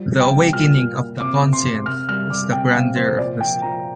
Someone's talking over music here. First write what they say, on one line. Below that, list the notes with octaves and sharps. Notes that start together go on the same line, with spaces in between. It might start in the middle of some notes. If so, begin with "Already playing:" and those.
The awakening of the conscience is the grandeur of the soul.
Already playing: F3 G3
C3
G5
G3
A#2 F6
A#2
A#2
C3 D6
C3
C6
C3
C3 F6
G3 F6
G3 D6
C3 G5
C3 F5
F3 C5
A#2 D5
F3 G5
F3 A#5